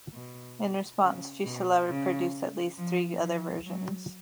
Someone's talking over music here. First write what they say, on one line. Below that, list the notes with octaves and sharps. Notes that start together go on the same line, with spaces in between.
In response, Fuseli produced at least three other versions.
B2
C#3
B2
C#3
F3
F3
F#3